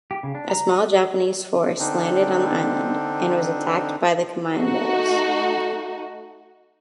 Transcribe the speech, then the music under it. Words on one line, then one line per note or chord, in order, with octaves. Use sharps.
A small Japanese force landed on the island, and was attacked by the commandos.
G4
C#3
D4
A#5
D#4
D3 C4 D4 D#4
A3 D#4 F#4